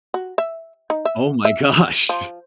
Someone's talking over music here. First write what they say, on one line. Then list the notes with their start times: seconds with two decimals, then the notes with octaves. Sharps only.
Oh my gosh.
0.14 F#4
0.38 E5
0.90 D#4
1.05 E5
1.45 E5
2.09 F3